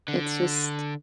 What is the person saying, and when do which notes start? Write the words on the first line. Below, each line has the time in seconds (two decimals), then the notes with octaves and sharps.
it's just
0.08 D3